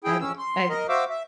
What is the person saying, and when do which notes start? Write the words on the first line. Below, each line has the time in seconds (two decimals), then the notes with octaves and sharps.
I l I I
0.04 E4 G#4 G5
0.21 F2 C#4 E6
0.39 C6
0.69 A#4 D#5
0.89 F#4 C5 E5 F5 D6 E6
1.10 E5